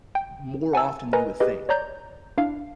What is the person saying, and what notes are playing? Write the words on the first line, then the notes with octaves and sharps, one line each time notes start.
more often than you would think.
G5
F#5 G#5 A5 E6
A#4 B4 D#5 G#5 A#5
G4 G#4 B4 D#5
C#5 D5 A#5 G6
D4 E4 F5